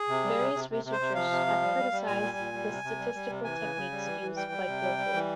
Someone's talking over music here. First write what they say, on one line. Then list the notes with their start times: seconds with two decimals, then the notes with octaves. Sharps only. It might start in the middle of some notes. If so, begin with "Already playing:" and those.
Various researchers have criticized the statistical techniques used by Guilford.
Already playing: G#4
0.08 C3
0.24 G3
0.39 C3
0.54 C3
0.69 C3
0.85 C3
0.92 C5
1.00 C3
1.15 F3 F5
1.31 C3
1.46 F3
1.62 G3
1.77 G3
1.92 G3
2.07 A#2 G#5
2.22 G3
2.38 A#2
2.53 G3
2.68 C3
2.84 C3
2.99 G3
3.14 G3
3.29 C3
3.44 E3 G#5
3.60 C#3
3.76 C#3
3.91 G3
4.06 E3
4.21 E3
4.36 G3 G5
4.52 G3
4.67 C3
4.82 G3
4.98 G3
5.13 E3